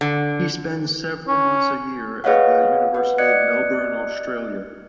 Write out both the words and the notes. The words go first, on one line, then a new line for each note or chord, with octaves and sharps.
He spends several months a year at the University of Melbourne, Australia.
D3
C#4
G#4 B4 C#5 D#5 F5 F#5
B4 F#5
D5 D#5 F#6 G#6 C#7